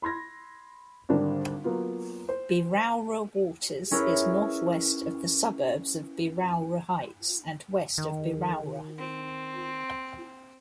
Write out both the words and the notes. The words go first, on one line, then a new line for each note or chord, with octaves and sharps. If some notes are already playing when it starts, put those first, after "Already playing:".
Berowra Waters is north-west of the suburbs of Berowra Heights and west of Berowra.
B5 C6 G#6 A#6
G#1 D3 G3 D4 A#4
F#3 A#3 B3 F4
C5
C#4 E4 G#4 A#4 B4
D#3
C4